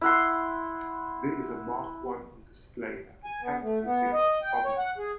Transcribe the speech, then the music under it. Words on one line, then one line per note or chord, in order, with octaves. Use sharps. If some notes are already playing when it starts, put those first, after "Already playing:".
There is a Mark One on display at The Tank Museum, Bovington.
E4 F#5 C6
G#5
B3
A3
B3
D#5
G5
C#5
F#5
G#4